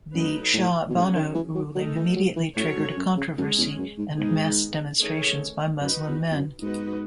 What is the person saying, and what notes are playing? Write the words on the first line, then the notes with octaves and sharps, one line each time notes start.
The Shah Bano ruling immediately triggered a controversy and mass demonstrations by Muslim men.
F#2 F#3 A3 D#4 F#4 B4
A2
B2
A2 F#3 C#4 G#4
D#3
E3
F#3
D#3 F#3 A3 D#4 A4
E3
F#3
E3
A2 F#3 C#4 F#4 A4 C#5
G#2
F#2
C#3
F#2 G#3 C#4 G#4
E2
F#2
G#2
G#2 D#3 G#3 B3 D#4 G#4
D#3 A3 C#4 G#4 C#5
F#2 D#4 F#4 B4
E2
E2
F#2
G#2 B3 D#4 F#4 B4 D#5